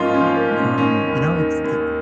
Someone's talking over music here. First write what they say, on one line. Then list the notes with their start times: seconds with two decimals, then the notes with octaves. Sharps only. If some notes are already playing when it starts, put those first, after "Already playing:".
um, you know, it's it
Already playing: G#2 F3 A#3 C#4 D#4 F4
0.14 C#4
0.21 F3
0.35 A#3
0.49 G#2
0.56 C#4
0.78 D#3 C#4
1.07 D#2
1.36 D#3
1.64 D#2